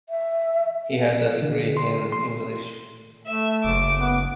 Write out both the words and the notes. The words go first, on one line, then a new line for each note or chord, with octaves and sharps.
He has a degree in English.
E5
D3
C6
C6
A3 E5
F#1 D6
B3